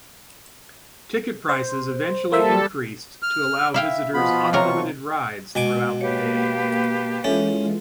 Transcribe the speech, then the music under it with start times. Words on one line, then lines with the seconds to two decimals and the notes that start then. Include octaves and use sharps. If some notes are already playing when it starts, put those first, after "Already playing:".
Ticket prices eventually increased to allow visitors unlimited rides throughout the day.
1.49 C5
2.32 G3 A#3 A4 C5 E5
3.22 F6
3.74 E4 E5 F5 G5
4.14 B2 F3 B3 F4 B5
4.53 C3 F#3 A#4 C#6
5.55 B2 G#3 G#5 D6
6.01 A#3 G4 B4 C#5 F5 G5 A5
7.24 E3 G#3 C#4 F4 A4 E5